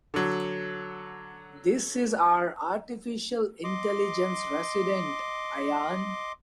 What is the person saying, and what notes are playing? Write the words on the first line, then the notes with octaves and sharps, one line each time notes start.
This is our Artificial Intelligence Resident, Ayaan.
D3 F#3
D#5 C6 D6